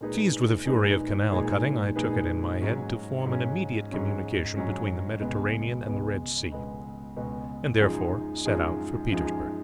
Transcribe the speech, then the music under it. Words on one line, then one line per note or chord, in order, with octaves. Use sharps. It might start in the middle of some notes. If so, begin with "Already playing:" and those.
Seized with a fury of canal-cutting, I took it in my head to form an immediate communication between the Mediterranean and the Red Sea, and therefore set out for Petersburgh.
A#2 G#3 D#4 G#4 B4
A#2 G#3 D#4 G#4 B4
A#2 G#3 D#4 G#4 B4
A#2 G#3 D#4 G#4 B4
G#2 F#3 C#4
G#2 F#3 C#4
G#2 F#3 C#4
G#2 F#3 C#4
C#2 B2 G#3 B3
C#2 B2 G#3 B3
C#2 B2 G#3 B3
C#2 B2 G#3 B3
F#2 F3 G#3 D#4 G#4
F#2 F3 G#3 D#4 G#4
F#2 F3 G#3 D#4 G#4